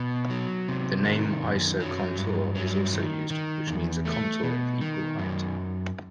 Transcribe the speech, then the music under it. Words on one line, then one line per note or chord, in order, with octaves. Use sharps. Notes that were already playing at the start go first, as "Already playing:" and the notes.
The name isocontour is also used, which means a contour of equal height.
Already playing: B2
F#3
C3
D#3
F#2
F#3
G2
F#3
D#3
D#3
E2
A3
B2
D#3
F#2